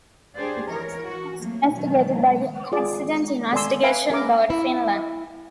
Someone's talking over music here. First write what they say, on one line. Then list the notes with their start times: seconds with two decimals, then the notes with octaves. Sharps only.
The accident was investigated by the Accident Investigation Board Finland.
0.37 D4 G4 G#4 C5 D5
0.70 E3 A#4 C#5
1.06 F#4
1.40 F#3 A3 A#3
1.73 B2 D#3 F#3
2.72 F4 G#4 D5
3.53 A4 D5 G#5 A5 C6 E6
3.83 B4 E5 F5 G#5 B5
4.10 C#4 A#4 E5 D6
4.50 E4